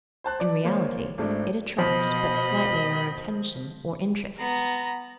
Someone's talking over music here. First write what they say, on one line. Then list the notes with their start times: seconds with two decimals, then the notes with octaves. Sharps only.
In reality it attracts but slightly our attention or interest.
0.24 C5 A5 F#6
0.40 D5
0.64 A#3 C5 C#5
1.18 G#1 A3 D4
1.78 B2 F3 D#5 B5
4.39 B3 A#5